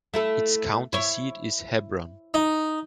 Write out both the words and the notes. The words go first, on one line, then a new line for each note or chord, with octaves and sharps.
Its county seat is Hebron.
A3 E4 A4
E4 C#5
D#4